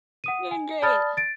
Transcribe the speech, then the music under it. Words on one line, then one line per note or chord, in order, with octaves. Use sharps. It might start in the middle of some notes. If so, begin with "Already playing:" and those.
Doing great.
F#5 D#6 D#7
G#5
D5 A5 B5 D#6 F6 A6
A6 D7